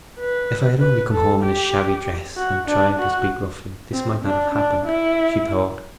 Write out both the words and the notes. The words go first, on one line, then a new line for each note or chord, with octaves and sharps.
"If I had only come home in a shabby dress, and tried to speak roughly, this might not have happened," she thought.
B4
B4
A4
G4
F#4
D4
F#4
C4
D4
D4
E4